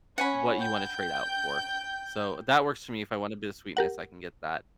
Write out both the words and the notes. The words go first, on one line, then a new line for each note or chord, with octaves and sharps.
what you wanna trade out for. So that works for me, if I want a bit of sweetness, I can get that,
C#4 F#5 G#5 B5
G5 G6
G4 A#4 F#5